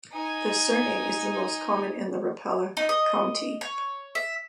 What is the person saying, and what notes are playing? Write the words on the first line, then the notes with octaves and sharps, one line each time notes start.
The surname is the most common in Rapla County.
D#4 G#5
D#4
D#5
C#5
E5